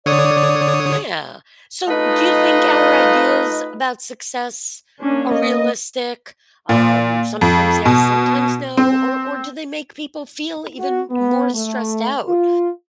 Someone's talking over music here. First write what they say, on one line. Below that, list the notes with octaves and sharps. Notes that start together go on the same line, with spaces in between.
Yeah. So, do you think our ideas about success are realistic? Um, sometimes yes, sometimes no? Or or do they make people feel even m more stressed out
D3 C#5 D5 D#6
A3 D#4 F4 B4 D#5 F5
A#3 C#4 D4
A#3 D#5
A#2
F2
B2
C4
F#4
B3
A3
F4